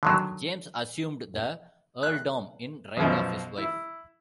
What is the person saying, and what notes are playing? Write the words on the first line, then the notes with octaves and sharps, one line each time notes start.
James assumed the earldom in right of his wife.
D3 D#3 F#3
F#6
B1 F#2 B2 F3
E4